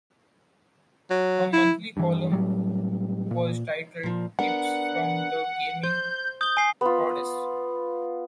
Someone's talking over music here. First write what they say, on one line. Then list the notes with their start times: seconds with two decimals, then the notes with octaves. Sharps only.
Her monthly column was titled "Tips from the Gaming Goddess".
1.10 F#3
1.53 E4
1.97 G2 E3
2.32 A2 F#3 G3
3.31 A#2
4.03 A#2 F3
4.39 B3 D4 A#4 F#5
5.83 C5 G6
6.41 D#6 G6 G7
6.57 G#5 C7
6.81 B3 F4